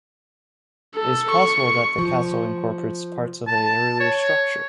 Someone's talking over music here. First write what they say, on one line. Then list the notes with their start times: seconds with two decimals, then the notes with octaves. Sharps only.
It is possible that the castle incorporates parts of an earlier structure.
0.95 A4
1.31 C#6
1.98 F3
3.47 A5
4.00 C#5